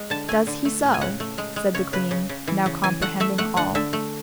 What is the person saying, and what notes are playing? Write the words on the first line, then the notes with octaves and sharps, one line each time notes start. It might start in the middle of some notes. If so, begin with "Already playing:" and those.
"Does he so?" said the queen, now comprehending all.
Already playing: G#3
D3 A5
A3 G#5
D3
A3
A2
G#5
C#3 F#5
A3
G#3
G#3
C#3 C#5
C#3 B4
C#3
C#3
E3
C#3
E3 G#5
A3 F#5
A3 E5
A3 F#5
D3 F#5
D3 E5
A3